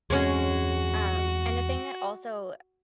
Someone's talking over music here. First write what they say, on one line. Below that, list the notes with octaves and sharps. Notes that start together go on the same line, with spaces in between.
um, and the thing that also,
E2 G#3 C4 C#4 F#4